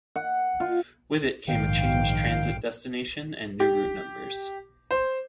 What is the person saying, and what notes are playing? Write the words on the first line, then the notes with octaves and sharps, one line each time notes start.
With it came a change transit destination and new route numbers.
F#5
F4
A#1 G#2 D#3 F5 G5
G4
C5